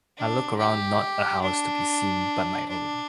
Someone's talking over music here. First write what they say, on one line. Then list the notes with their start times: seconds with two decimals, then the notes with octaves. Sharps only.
I look around not a house to be seen but my own.
0.17 D4
0.58 G4
1.42 D4
2.69 D4